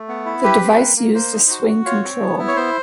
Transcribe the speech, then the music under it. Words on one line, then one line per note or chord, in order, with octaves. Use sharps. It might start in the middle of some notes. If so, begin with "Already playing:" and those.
The device used a swing-control.
Already playing: A3
B3
E4
G4 B4
C4
A#3
A#3
A#3 C5
D#4
F#4
F#4
F4 C#5
C4
B3
E4
C#5
B3 C5